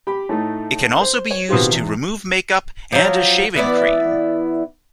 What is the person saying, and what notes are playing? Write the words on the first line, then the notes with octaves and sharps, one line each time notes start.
It can also be used to remove makeup and as shaving cream.
G4 B5
A2 A3 D#4
C5
C#5
B2 D#3 C4 F4 G4
E2
F3 F#3
E3 B3 E4 D5